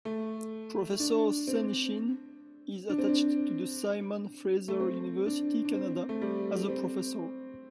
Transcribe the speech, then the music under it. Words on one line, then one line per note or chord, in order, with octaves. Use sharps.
Professor Senyshyn is attached to the Simon Fraser University, Canada as a Professor.
A3
D4
C4
D4
C4
D4
A3
C4
D4
D4
C4
A3
G3
C4